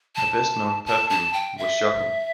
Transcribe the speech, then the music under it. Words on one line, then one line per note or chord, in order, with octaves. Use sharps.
Her best-known perfume was Shocking!
A5
A5
A5
G5
E5